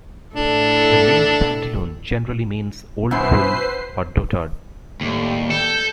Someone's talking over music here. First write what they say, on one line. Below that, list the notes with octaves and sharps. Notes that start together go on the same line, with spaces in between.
The name Pantaloon generally means "old fool" or "dotard".
A2 D4 E4 A4
F#2 B2 E4 B4 C5 C7
D#2 A2 G3
A4 G6